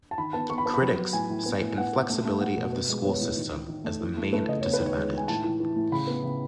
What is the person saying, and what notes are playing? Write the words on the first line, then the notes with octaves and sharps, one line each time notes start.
Critics cite inflexibility of the school system as the main disadvantage.
A5
D#3 B5
B3 A5
B3 C#6
B5
B3 A5
B5
F#3
F#3
A2 G#5
A2
B3
A2
B3 F#5
B3
A3
A3
A3 F#5
B2
B3
G#3
B3 C#5
A2
D#3
D#3
D#3
A3
E3
A3
A3 B4
C#3 D#5
B3 C#5
B4
D#3
C#5
G#3
D#3 G#5
A2 A5
E3
E3
A2
C#3 B5
B3
C#3